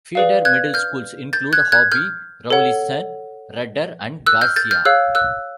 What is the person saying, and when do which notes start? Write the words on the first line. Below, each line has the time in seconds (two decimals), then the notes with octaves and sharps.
Feeder middle schools include: Hobby, Rawlinson, Rudder, and Garcia.
0.15 G#4 B4 D5 F5
0.45 F#6 G#6
0.74 F6 G6
1.33 G6 A6
1.53 F#6 G#6
1.72 F#6 G#6
1.92 F6 G6
2.50 A4 C#5 F#5
4.26 E6 F#6
4.41 F6 G6
4.56 G6 A6
4.71 F6 G6
4.85 G#4 C#5 F5 E6 F#6
5.15 E6 F#6